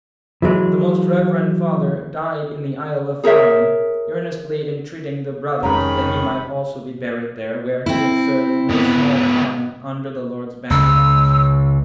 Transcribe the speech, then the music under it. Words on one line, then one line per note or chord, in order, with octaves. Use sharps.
The most reverend father died in the isle of Farne, earnestly entreating the brothers that he might also be buried there, where he had served no small time under the Lord's banner.
E3 F#3 G#3
G#4 A#4 C#5 E5
F1 G#2 D#3 G#3 C#4 A#5 B5
C4 E4
G#2 B3
C#2 E6